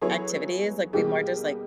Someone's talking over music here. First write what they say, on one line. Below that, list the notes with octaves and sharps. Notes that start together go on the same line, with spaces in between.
activities, like, we more just, like,
F#3 B3 E4 G#4 A4 C#5
B2 G3 A#3 D#4 G4 G#4